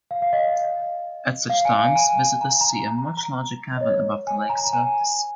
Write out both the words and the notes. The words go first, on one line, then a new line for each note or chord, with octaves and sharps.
At such times visitors see a much larger cavern above the lake surface.
F5
F5
D#5
F5
G#5
F5
G#5
A#5
A#5
A#5
A#5
A#5
D#5
C#5
G#5
A#5
A#5
G#5